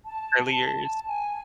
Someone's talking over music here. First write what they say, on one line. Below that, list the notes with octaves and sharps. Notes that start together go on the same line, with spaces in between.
early years?
A5
A5
G#5